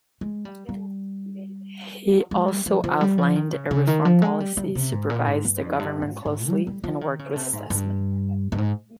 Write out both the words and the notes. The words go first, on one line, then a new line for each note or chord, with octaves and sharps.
He also outlined a reform policy, supervised the government closely, and worked with statesmen.
G#3
G3
G3
G#3
G3
F3
F3
G3
F3
D#3
C#3
C#3
D#3
F3
G#3
G3
G3
A#2
C3
G#2
A#2
G#2
G2
F2
G2
G#2
G#2
G3
G3
F3
D#3
C#3
C3
G#2
G2
G2
G#2